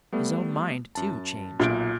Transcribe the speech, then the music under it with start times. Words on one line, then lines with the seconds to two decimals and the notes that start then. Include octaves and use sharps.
His own mind, too, changed.
0.13 G3 A3 B3
0.95 F#2 A5
1.60 B1 A#2 E5 D7